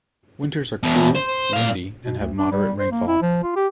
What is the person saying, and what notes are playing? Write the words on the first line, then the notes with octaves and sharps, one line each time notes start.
Winters are cool, windy and have moderate rainfall.
E2 B2
C5
A#2 F5
B2
D2
D4
G3
C5
A#3
E4
F3
F4
G4